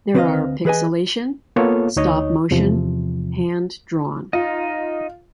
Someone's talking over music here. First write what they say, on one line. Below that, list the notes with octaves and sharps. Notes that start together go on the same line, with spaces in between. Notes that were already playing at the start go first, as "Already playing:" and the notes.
There are pixilation, stop motion, hand drawn.
D2 C4 B4 C5 D#5 F5
E3 G#4 B4 D#5 G#5
A#3 B3 F4 A4 C#5 F5
D2 D#4 C#5 D#5
E2 C3 F3
D#4 F4 D#5